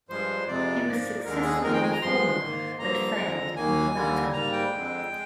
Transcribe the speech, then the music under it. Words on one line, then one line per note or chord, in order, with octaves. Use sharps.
He was successful in the former but failed in the latter.
G2 F3 G#3 C5
F2 C3 F3 G#3 D5
G#2 F3 A#3
D#2 D3 G#3 A#4
G#4
F2 D#3 G#3 A#4
G5
G#5
A#5
G2 F3 G#3 C6
G#2 D#3 A#3
G2 D3 F3 A#3 A#5
F2 D3 F3 G#3
D#2 D#3 A#3 G#5
D#2 D3 G3 A#3
G#2 G3 A#3 A#5
G5
F2 D3 G#3
G#3